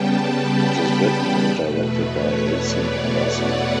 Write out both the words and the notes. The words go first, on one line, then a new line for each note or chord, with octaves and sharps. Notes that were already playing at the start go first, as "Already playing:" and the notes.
It is written and directed by Asim Abbasi.
Already playing: C#3 G3 B3 G5 A5
B5
A5
E2 B2 A3 B4
C#5
D5
F#5